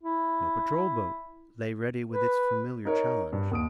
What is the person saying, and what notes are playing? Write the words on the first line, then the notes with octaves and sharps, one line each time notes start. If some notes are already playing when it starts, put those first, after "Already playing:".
No patrol boat lay ready with its familiar challenge.
E4
B4
D#4 A#4 C#5
G2
D#2 D#6 D7